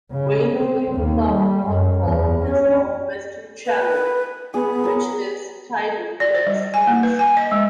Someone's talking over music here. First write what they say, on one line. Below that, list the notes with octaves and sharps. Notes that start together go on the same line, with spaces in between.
Wainfleet Clough Outfall is on the western channel, which is tidal below the sluice.
C#3
C4
D#2
G3
F#2
E2
C#4
B4
B3 G#4
A#4 C#5
D5
C5
G3
G#5
A#3
B4
G#5
D#5
G#3